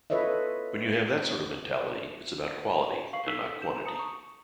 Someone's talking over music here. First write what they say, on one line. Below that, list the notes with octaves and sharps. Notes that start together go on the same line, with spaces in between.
When you have that sort of mentality, it's about quality and not quantity.
F4 A4 B4 C#5 D#5 E5
F5 C#6 C7 F#7
D#4 A4 E6 B6
G6 E7
A5 A#5 D#6 C#7
C#6